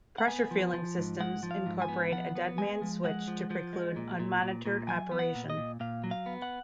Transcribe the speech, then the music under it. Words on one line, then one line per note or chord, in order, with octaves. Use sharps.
Pressure fueling systems incorporate a dead man's switch to preclude unmonitored operation.
F#5
B3 G#5
F3
F3
G#2
G#3 F#5
F3
F5
G#2
G#5
B3
F3 F#5
B3
G#3 G#5
F3
G#3 F#5
F3
F3
G#3
A#2
A#2
A#2
A#2
F#3 G#5
B3
F#5
A#2
D#5
A#2
A#2 F5
F#3
F5
B3
F#5